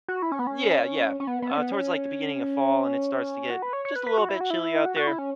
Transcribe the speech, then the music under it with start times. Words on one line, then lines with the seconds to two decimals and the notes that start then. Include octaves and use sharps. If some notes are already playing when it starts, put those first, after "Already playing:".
Yeah, yeah, uh, towards, like, the beginning of fall, and it starts to get just a little bit chilly out there.
0.08 F#4
0.22 E4
0.32 C#4
0.39 B3
0.47 C#4
1.20 C#4
1.27 B3
1.42 B3
1.51 C#4
1.58 B3
1.72 C#4
3.50 F#4
3.62 B4
3.73 C#5
3.85 C#5
3.96 B4
4.06 B4
4.18 F#4
4.29 E4
4.41 F#4
4.50 E4
4.85 F#4
4.96 F#4
5.07 E4
5.19 C#4